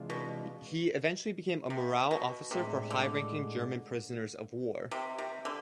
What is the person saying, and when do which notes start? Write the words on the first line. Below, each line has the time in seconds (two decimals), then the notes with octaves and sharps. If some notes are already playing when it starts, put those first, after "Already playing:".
He eventually became a morale officer for high-ranking German prisoners of war.
Already playing: C3 E3 G#3 D4 F4
0.10 B2
1.70 C3
2.11 B2
2.50 A2 C3 G#3 D4
2.90 D3
4.91 C3
5.18 C3
5.45 D3